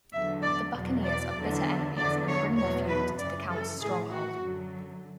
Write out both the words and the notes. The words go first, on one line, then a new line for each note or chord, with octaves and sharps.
The buccaneers are bitter enemies and bring their feud to the Count's stronghold.
E2 D3 F#3 E5
D5
E2 B2 F#3
D5
E2 D3 F#3
E2 D3 F#3 D5
C#5
E2 B2 F#3 C#5
B4
F#2 C#3 E3 D5
A4
A2 E3 G#4
F#4
F#2 D3 F#3